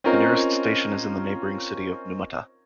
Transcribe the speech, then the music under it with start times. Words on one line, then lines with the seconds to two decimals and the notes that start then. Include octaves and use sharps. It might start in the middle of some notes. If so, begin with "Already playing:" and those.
The nearest station is in the neighboring city of Numata.
0.04 C4 C#4 D#4 F4 A#4 C#5